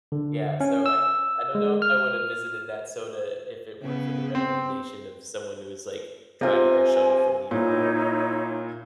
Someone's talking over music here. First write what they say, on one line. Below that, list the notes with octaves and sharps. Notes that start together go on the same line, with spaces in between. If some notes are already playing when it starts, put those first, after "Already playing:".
Yeah, so I I don't know if I would have visited that soda if it weren't for the recommendation of someone who is, like, driving our shuttle from the airport.
D3
C#4
E6
G#3
F6
C#3 B3
C4
C3 F4 G#5
A#2 D#4 E4 C#5